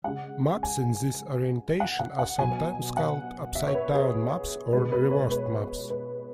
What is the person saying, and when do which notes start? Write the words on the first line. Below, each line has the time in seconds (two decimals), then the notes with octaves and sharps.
Maps in this orientation are sometimes called upside down maps or reversed maps.
0.04 C#3 G#3 F#5
0.63 G#5
1.80 F#5
1.99 F#5
2.19 F#5
2.38 B2 F#3 G#5
2.97 F#5
3.55 E5
3.68 C#5
3.75 B4
3.95 G#4
4.73 B2 G#3 B4
4.92 B4
5.11 C#5
5.31 B4
5.90 B4